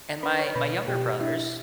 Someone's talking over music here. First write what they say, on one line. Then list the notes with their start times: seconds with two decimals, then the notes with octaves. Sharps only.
And my my younger brothers,
0.23 D4 B4 B5
0.39 C#5 C#6
0.55 B2 B4 B5
0.88 B2 G4 G5
1.20 D4 E4 E5